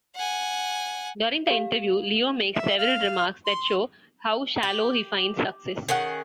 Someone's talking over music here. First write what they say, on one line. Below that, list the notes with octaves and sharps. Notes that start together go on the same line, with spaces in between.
During the interview Leo makes several remarks that show how shallow he finds success.
F#5 G#5
G4 F5
E5
F5
C6
G4
D#3 C#4 G#4 F#5